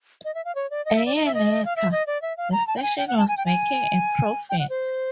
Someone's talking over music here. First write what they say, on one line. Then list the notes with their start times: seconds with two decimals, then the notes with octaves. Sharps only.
A year later, the station was making a profit.
0.25 D#5
0.35 E5
0.45 F5
0.55 C#5
0.70 D5
0.85 D#5
0.96 E5
1.06 D5
1.16 D#5
1.25 E5
1.34 D#5
1.65 F5
1.76 E5
1.92 D#5
2.07 D5
2.22 E5
2.37 F5
2.52 A#5
2.67 A5
2.77 G5
2.82 G#5
2.98 G5
3.07 F#5
3.17 A5
3.28 G#5
3.37 G5
3.46 G#5
4.50 G5
4.59 F#5
4.69 C5